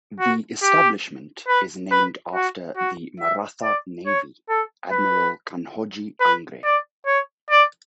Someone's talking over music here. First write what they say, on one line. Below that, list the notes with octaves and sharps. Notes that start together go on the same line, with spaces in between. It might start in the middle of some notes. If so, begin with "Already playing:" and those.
The establishment is named after the Maratha Navy Admiral Kanhoji Angre.
F#4
G4
B4
B4
F#4
F#4
E5
D5
C#5
A4
B4
B4
D5
C#5
D5